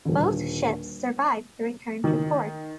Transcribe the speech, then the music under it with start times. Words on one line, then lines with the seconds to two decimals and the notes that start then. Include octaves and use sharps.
Both ships survived to return to port.
0.05 D#1 D3
2.04 D#3